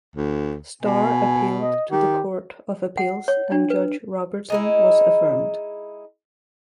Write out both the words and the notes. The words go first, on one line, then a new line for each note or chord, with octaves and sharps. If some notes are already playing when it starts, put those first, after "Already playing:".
Starr appealed to the Court of Appeals and Judge Robertson was affirmed.
D2
B2 G#5
D#5
D#3 G4
F#5
C#5
D4
B4
G#3 D#4 E4